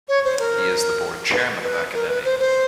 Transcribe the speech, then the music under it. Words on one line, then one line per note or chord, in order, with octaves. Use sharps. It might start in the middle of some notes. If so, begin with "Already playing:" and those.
He is the board chairman of Academi.
C#5
C5
A#4
B4
B4
A#4
B4
C5
C5